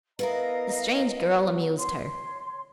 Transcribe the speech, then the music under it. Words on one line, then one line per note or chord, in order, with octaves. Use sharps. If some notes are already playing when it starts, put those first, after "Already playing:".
The strange girl amused her.
B3 E4 A#4 D#5 F5 A#5
C#5 C6